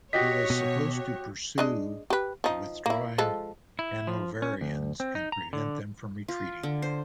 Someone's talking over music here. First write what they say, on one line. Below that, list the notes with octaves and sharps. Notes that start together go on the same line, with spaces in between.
He was supposed to pursue the withdrawing Hanoverians and prevent them from retreating.
F#4 G4 C#5 D#5 A#6 B6
B2
G#3 D4 D#5
G4 B4
F3 D#4
A#3 E4
F3 G#3 A4
E4
F3
C#4
D2
C4
D#4
A#5
D3
F4
D3
C5